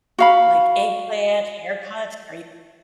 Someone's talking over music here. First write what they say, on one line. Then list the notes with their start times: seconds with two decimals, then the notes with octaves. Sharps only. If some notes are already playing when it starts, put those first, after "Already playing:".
like eggplant, haircuts, kara
0.19 F#4 F5 B5